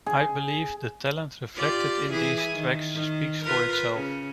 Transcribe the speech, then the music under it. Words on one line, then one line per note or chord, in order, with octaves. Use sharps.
I believe the talent reflected in these tracks speaks for itself.
G#4
F4 G4 D5
E3 E4 G#4
D#3
D#3
F4 A#4 B4
C#3